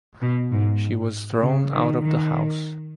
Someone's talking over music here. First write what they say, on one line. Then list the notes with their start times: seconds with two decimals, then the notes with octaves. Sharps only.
She was thrown out of the house.
0.22 B2
0.52 G#2
1.42 C#3
1.72 D#3
2.02 D#3